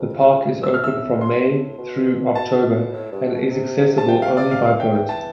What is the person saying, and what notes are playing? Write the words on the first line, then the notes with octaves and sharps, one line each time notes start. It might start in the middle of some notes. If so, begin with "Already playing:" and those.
The park is open from May through October, and is accessible only by boat.
Already playing: F2
A2 E6
F6
E6
C6
B2
A5
A2
G2
B2
C3
A5
G5
F5
D5
F5
E3 F5
G5
G5
A5